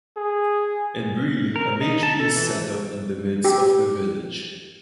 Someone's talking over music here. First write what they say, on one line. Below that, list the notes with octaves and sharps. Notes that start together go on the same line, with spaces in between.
In Brie a May-tree is set up in the midst of the village.
G#4
A#4
D#4
A5
A4
E3
G4